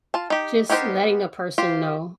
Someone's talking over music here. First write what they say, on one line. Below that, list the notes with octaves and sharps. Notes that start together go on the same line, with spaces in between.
just letting a person know.
F4 A5
D#4 G4
B3 D#4 G4 A#4 C5
F4 G4 C5